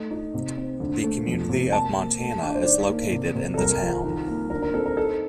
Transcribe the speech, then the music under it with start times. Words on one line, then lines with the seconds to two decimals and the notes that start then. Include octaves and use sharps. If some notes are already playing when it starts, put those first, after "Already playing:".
The community of Montana is located in the town.
Already playing: A3 D#4
0.11 D#4
0.34 C3
0.57 C4
0.80 D2
1.03 A3
1.27 F2
1.49 C3
1.72 A#3 A5
1.96 A#3
2.19 A3
2.43 D4
2.55 C5
2.66 D#3 D5
2.89 A#3
3.11 C3
3.35 C3
3.54 A4
3.58 C2 A#4
3.81 F3
4.04 D#3
4.28 A#3
4.50 D2 A#4
4.62 A#4
4.74 C4 A4
4.86 A#4
4.97 D#4 A4